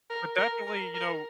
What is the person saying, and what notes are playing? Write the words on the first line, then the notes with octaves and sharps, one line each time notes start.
but, definitely, you know,
A#4
A#4
A#4
A#4